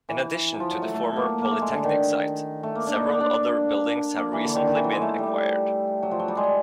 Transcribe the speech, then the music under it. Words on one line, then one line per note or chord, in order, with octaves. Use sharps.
In addition to the former Polytechnic site, several other buildings have recently been acquired.
E3
F3
F#3
A3
A3
A#3
A#3
A3
G#3
D3
D#3
A3
A#3
D4
D#4
D4
D4
A#3
E3
D3
D#3
D#3
E3
F#3
G#3
A3
G3
F#3
F3
F#3
G3
G#3